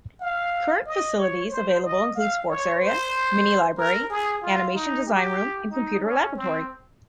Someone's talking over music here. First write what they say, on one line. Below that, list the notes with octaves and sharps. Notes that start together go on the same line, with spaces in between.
Current facilities available include sports area, mini-library, animation design room and computer laboratory.
F5
D#5
C#5
C5
D#5
F5
C#5
C5
A#4
G#4
F4
D#4
G4
D#4
C#4
C4